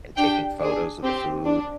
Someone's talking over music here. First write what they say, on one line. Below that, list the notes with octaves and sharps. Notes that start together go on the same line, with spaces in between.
and taking photos of the food,
D4 G4 G5
D4 G#4
C4 G4
D4